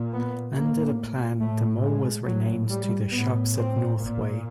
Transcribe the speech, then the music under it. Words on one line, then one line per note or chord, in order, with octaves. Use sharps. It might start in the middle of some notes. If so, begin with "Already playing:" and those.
Under the plan, the mall was renamed to The Shoppes at Northway.
Already playing: A#2
B3
A2 A#3
A2 A3
G#3
A2 F#3
G3
A2 B3
C4
A#2